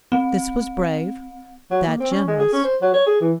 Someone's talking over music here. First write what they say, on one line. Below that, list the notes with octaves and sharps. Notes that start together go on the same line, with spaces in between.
This was brave, that generous.
C4
F#3
A#3
C4
C#4
G#3
G#4
C#4
C5
F#3
C#5
G#4
E3